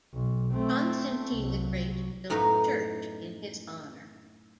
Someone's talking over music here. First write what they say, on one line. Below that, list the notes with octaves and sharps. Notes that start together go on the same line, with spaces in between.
Constantine the Great built a church in his honour.
B1
A3 C4
C2 F#3
F#2 A2 B3 D#4 B4 A#5